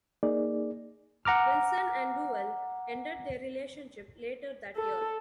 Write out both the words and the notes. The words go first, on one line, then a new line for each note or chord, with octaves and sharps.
Wilson and Duell ended their relationship later that year.
A#3 D#4 G#4 D5
F#5 A#5 D6 F6
A4